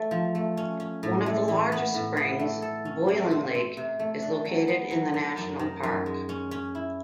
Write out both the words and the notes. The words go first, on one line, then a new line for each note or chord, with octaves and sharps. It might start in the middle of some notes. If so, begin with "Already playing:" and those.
One of the largest springs, Boiling Lake, is located in the national park.
Already playing: A3
F3
A3
C#4
C#4
A2
A3
E3
B3
A2
B3
A3
A4
C#4
A3
C4
C4
C3
A3
D4
F#3
B3
F#3
D#3
F#2
D#3
F#2
G#3
C#4
C#4
E4